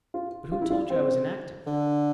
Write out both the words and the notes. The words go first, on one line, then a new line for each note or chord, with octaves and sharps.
"But who told you I was inactive?"
F4
F4
E4
F4
C4
D3